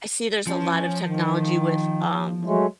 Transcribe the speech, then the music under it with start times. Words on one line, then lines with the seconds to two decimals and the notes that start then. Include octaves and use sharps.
I see there's a lot of technology with, um
0.47 F3 C#4
1.05 D#3
2.45 F#3 G#3 A3